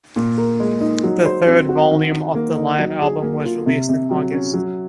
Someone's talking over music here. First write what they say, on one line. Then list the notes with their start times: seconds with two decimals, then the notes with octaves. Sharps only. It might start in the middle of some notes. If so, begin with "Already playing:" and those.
The third volume of the live album was released in August.
0.16 A#2
0.38 A#4
0.60 G#3
0.81 D#4
1.03 F#3
1.26 C5
1.47 C4
1.69 F#4
1.91 D#3
2.13 D#3
2.35 A#3
2.57 D#4
2.79 F#3
3.01 G#4
3.22 A#3
3.45 F4
3.66 C3
3.89 C3
4.11 F#3
4.32 C#4
4.54 F#3